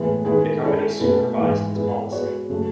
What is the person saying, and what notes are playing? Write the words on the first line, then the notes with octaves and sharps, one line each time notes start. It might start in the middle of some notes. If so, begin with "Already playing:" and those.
The company soon revised its policy.
Already playing: A2 E3 G#3 B3
D#3 G#3 B3 E4 G#4
G#3 C#4 E4 A4 C#5
B2 A3 C#4 E4 B4
G#2 E3 G#3
G#3 B3 E4
G#3 B3 F#4 C#5
C#3 F#3 A3